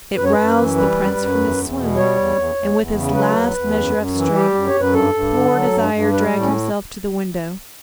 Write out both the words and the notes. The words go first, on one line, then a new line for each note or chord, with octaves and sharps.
It roused the Prince from his swoon, and with his last measure of strength, poor Desire dragged himself to the window.
F#2 B4
C#5
F#2 B4
E3
G3 B4
F#2
F#2
E2
E2
B2
G3 C#5
E2
E2
E2
E2
C#3
F#3 B4
E2
E2
F#2
F#2
E3
G3 G4
F#2
C#5
F#2
B4
G2 A4
G2
D3
F#3
G2
G2
G3 B4
A2
C#4